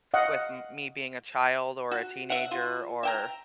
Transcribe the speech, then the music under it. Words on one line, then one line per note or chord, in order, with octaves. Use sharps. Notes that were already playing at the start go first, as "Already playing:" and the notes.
with me being a child or a teenager or
D#5 F5 F#5
F#4
E5 F#5
F4
E5 G5 A#5